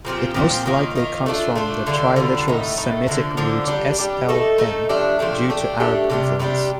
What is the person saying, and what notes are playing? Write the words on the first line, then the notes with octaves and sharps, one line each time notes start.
It most likely comes from the triliteral Semitic root S-L-M, due to Arab influence.
A#2 F3 C4 G4
A#2 F3 C4 G4
D#3 A#3 F4
D#3 A#3 F4
A3 D4 F4
A3 D4 F4
D3 G3 D4 F4
D3 G3 D4 F4
A2 A3 D#4
A2 A3 D#4
D3 F3 A#3 D4
D3 F3 A#3 D4
G3 D4 G4
G3 D4 G4
A3 D#4 A4
A3 D#4 A4
F3 A3 D4 G4
F3 A3 D4 G4
A3 D4 G4
A3 D4 G4
C3 G3 D4 G4
C3 G3 D4 G4